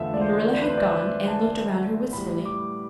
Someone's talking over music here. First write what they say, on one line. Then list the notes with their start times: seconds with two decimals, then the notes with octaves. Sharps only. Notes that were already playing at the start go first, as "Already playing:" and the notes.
When Marilla had gone Anne looked around her wistfully.
Already playing: E2 D3 F3 A3 E5 F5
0.14 D5
0.21 C5
0.53 D5
0.62 B4
0.69 C5
0.78 D5
0.85 E5
1.28 A5
2.13 A2 G3 B5
2.45 D6